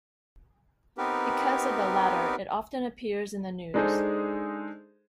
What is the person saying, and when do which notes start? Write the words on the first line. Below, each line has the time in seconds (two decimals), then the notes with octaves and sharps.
Because of the latter, it often appears in the news.
0.98 B3 C4 D#4 G4 A#4 B4
3.74 G#3 D4 D#4 G#4 A4 C5